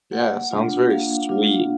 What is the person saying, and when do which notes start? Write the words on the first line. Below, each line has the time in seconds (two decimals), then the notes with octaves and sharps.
Yeah, it sounds very sweet.
0.12 A#3 F#5
0.51 D4 F4
0.90 A#3 F5
1.29 D4 F4